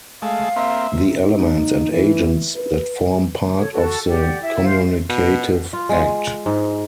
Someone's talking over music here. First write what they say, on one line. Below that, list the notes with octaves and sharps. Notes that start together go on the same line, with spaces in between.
The elements and agents that form part of the communicative act.
G#3 A3 F5
A#3 C4 E5
D#4
E3
B4
A4 C#5
F#4 A4
G4 D5 F#5
E4
C5 F5
B2
F4
G#3
G#2